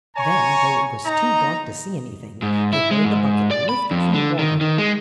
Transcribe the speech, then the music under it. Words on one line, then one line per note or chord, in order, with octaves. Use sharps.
Then though it was too dark to see anything, they heard the bucket lifted from the water.
C#5 G#5 A#5 C#6
D#4 A#5
G#2
E4
G#3
G#2
D5
B5
F2
D3
D#3
D#3
G#3